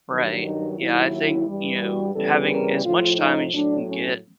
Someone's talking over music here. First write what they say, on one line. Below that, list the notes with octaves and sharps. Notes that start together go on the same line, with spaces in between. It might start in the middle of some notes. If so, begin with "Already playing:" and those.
Right. Yeah, I think, you know, having as much time as you can get,
G2 D#3 F#3
D#4
D#2 D#3 F#3 E4
G2 E3 G3
F#4
E2 C#3 E3 G3 A4
A#4
A2 F3 F4
D#4
A2 F#3 D4
C#4